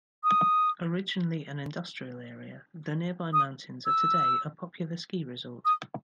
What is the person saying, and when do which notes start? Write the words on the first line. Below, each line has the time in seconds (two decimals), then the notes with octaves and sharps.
Originally an industrial area, the nearby mountains are today a popular ski resort.
0.24 D#6
3.33 D#6
3.86 E6
5.65 D#6